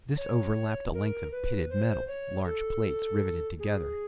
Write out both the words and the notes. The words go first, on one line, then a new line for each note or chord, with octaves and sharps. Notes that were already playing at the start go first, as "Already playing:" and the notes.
This overlapped a length of pitted metal, large plates riveted together.
C#5
A#4
B4
C5
C#5
A4
G#4